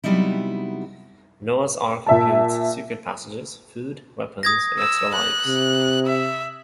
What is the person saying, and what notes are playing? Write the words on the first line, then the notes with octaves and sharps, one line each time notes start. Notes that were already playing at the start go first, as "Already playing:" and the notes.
"Noah's Ark" includes secret passages, food, weapons and extra lives.
C3 F#3 G3 B3 D#4 E4
A#2 E5 A5
D#6 G#6 A#6
E6
F#6
C3
E5